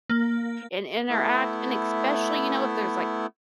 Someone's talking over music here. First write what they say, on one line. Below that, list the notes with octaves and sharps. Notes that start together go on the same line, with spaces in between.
and interact, and especially, you know, if there's like
A#3
A3 B3 E4